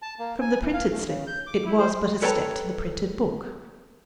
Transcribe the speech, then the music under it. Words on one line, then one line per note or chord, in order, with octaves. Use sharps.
From the printed slip it was but a step to the printed book.
A5
A#3
G#5
E3
F5
A3
C#3
G6
D6
E4
C5
A4 B4 C#5 G5 A5 A#5